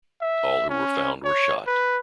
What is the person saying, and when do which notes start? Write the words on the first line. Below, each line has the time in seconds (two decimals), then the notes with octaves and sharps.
All who were found were shot.
0.22 E5
0.69 C#4
1.24 C#5
1.67 B4